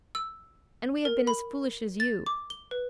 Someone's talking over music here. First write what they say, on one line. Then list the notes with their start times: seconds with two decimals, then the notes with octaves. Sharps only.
And we have been as foolish as you.
0.15 E6
1.05 A#4
1.27 B5
2.00 A6
2.26 D6
2.50 G7
2.71 B4